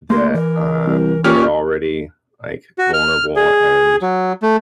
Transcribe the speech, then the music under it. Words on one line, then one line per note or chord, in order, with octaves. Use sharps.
that, um, that are already, like, vulnerable and,
A3 A#3 C6
E3 A#4
C2
A#2 C#4 G4 C#6 F6
F#4
F6
G#4
F#3
A3